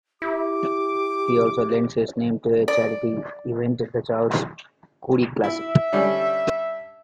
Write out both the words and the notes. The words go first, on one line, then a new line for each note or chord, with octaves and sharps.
He also lends his name to a charity event, the Charles Coody Classic.
E4 G4 D6
D5
E4 E5
D3 G3 C#4